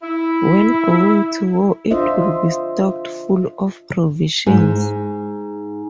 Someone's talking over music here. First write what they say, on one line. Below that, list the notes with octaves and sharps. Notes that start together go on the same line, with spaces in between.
When going to war it will be stocked full of provisions.
E4
D4 F4 C5 D#5 E5
G#2